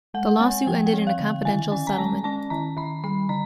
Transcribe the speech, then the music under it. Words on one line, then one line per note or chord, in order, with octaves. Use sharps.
The lawsuit ended in a confidential settlement.
G#3 F#5
C4 G#5
F3 G5
G5
C4
F5
D3
D#3 G#5
C#4 G#5
A#5
G#3 A5
C#4 A5
D#3 A#5
D#3 B5
G3 B5
D3 A#5